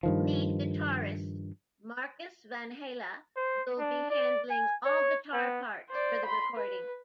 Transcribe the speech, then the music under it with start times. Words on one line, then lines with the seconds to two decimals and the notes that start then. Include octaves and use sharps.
Lead Guitarist Markus Vanhala will be handling all guitar parts for the recording.
0.03 G2 D#3 F3
3.36 C5
3.78 D4
4.10 D5
4.50 G#5
4.85 C#5
5.33 B3
5.89 C5 D5
6.25 B5 C6
6.56 B4